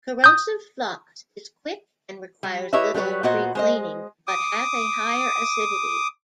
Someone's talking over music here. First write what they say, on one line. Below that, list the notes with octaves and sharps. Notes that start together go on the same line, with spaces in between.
Corrosive flux is quick and requires little precleaning, but has a higher acidity.
D#6 G6
G3
E4 G4 B4 C#5 D#5 E5
F#3 G3 E4 B4 C#5
A#2 B3 F#4 C5 D#5
G#3 C5 D#5
D6 D#6